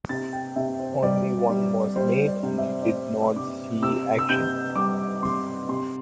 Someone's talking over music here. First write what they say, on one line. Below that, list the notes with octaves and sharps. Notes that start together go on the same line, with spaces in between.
Only one was made and it did not see action.
C3 A6
G5
C3 E5
C5
G3 D5
G3
G3 C5
D5
C3
E5
D5
C3 C5
C3 D6
C3 E6
E6
C3 G6
G3 D6
C3 C6
C3 C6